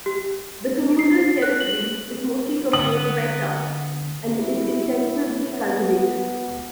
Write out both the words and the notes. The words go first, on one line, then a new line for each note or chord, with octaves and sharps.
The communal territory is mostly composed by tuff, and is intensively cultivated.
G4
C7
F#6
F#7
D3 B3 D#6 F#7
E4
B3